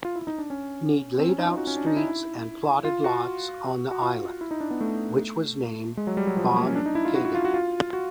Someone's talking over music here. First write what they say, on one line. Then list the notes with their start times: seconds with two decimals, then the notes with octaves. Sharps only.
Need laid out streets and plotted lots on the island, which was named Bobcaygeon.
0.05 F4
0.16 E4
0.27 D#4
0.38 D4
0.50 C#4
1.19 C4
1.28 C#4
1.38 D#4
1.48 F4
1.57 F#4
1.67 C#4
1.77 D4
1.86 D#4
1.97 E4
2.84 F4
3.04 F#4
3.91 F#4
4.02 F4
4.41 E4
4.51 D#4
4.61 D4
4.71 B3
4.81 A3
5.97 G#3
6.07 F#3
6.17 G3
6.27 F#3
6.37 F3
6.57 A#3
6.66 C#4
6.75 D4
6.86 D#4
6.95 E4
7.05 F4
7.15 F#4
7.25 F#4
7.35 F4
7.45 F#4
7.54 F4
7.93 F#4